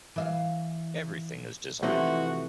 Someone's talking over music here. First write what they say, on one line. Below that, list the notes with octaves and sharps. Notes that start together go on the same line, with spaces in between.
Everything is designed.
E3 E5 F5
C3 E3 F3 A3 D#4 E4 F#4 C5